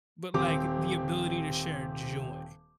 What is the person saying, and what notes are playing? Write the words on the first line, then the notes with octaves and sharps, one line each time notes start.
but like, the ability to share joy.
D#1 C4 G4 D6